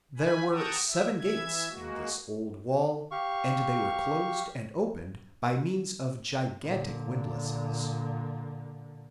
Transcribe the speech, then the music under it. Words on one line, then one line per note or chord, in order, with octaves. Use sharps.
There were seven gates in this old wall and they were closed and opened by means of gigantic windlasses.
G#5 B5
F#5 G5 A5 A#5 C#6 D#6
E5
E3 E5 G#6
G#3 A#3 F#4
G4 F5 C#6
A#2 D3